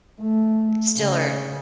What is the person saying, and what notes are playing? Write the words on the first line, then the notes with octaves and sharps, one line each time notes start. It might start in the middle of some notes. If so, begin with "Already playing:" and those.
still are
A3
C#3